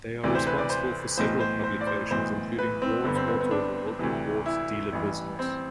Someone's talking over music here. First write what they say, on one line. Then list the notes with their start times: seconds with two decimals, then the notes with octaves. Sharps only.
They are responsible for several publications including, "Ward's AutoWorld", and "Ward's Dealer Business".
0.23 D2 C3 E3 D5
0.35 C5
0.47 B4
0.58 D5
0.70 C5
1.17 B1 A2 E3 C5
1.41 C5
1.64 C5
1.81 D5
1.87 C5
2.11 B1 A2 E3 C5
2.59 B4
2.82 C4
3.04 G1 G2 D3 B3
3.16 C4
3.28 B3
3.41 B3
3.51 D4
3.99 D2 C3 E3
4.46 E4
4.93 A1 G2 E3
5.39 C4